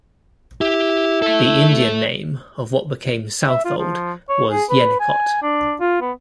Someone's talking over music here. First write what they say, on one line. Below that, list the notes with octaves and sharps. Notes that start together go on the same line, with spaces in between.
The Indian name of what became Southold was "Yenicott".
E4 G4
A4 E5
E5
F4
F3
C#5
G#4
B4
G#5
D4
F4
B3